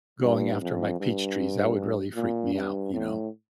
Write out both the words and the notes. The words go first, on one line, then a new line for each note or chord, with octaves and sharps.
going after my peach trees. That would really freak me out, you know,
G2
F2
G2
A#2
G2
A2